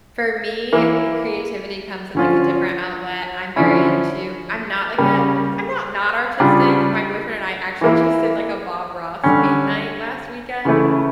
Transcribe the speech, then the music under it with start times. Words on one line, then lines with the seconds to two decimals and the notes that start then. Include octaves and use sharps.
for me, creativity comes in, like, a different outlet, I'm very into I'm not like a I'm not not artistic. My boyfriend and I actually just did, like, a Bob Ross paint night last weekend,
0.72 E3 A#3 E4
2.15 D3 F3 C#4 F4
3.56 D3 F3 C#4 E4
4.98 C#3 G3 A#3
6.40 C#3 G3 D4 F4
7.81 E3 A#3 E4
9.24 D3 G3 C#4
10.65 C#3 E3 A3 E4